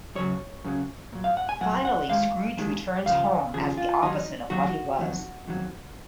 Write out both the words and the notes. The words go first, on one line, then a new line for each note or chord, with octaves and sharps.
Finally Scrooge returns home as the opposite of what he was.
F#2 C#3 F#3 C#5
F#2 C#3 F#3
A#2 F#3
F5
F#5
G#5
A#2 F#3 F#5
F#5
D#2 D#3 G#3 F5
D#2 D#3 G#3
D#2 C#3 F3 F5
D#2 C#3 F3 G#4
F4
D#2 D#3 F#3 D#4
D#2 D#3 F#3 F#4
F2 D#3 F#3
F2 D#3 F#3